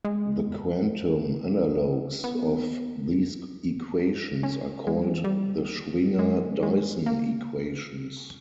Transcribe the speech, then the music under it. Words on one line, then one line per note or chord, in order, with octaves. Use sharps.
The quantum analogues of these equations are called the Schwinger-Dyson equations.
G#3
B3
C#4
G#3
G3
E3
G3
G#3
G#3
A#3